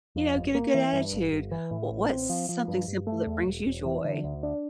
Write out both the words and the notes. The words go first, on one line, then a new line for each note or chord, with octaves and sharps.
you know, get a good attitude. W what's something simple that brings you joy?
F2
G1
A#3
E3
G2
G1
G1
E3
A2
A1
C4
F3
F3
G2
G2
A3
E2
E1
E1
E3
D3
D2
D4